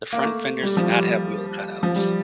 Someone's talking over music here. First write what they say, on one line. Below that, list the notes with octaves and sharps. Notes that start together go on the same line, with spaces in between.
The front fenders did not have wheel cutouts.
A#3
A3
G3
F3
G3
F3
G3